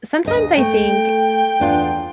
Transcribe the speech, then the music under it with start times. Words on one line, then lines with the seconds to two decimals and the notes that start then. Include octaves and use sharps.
sometimes I think,
0.25 D2 D#5
0.57 A3 G5
1.60 E2 D4 F4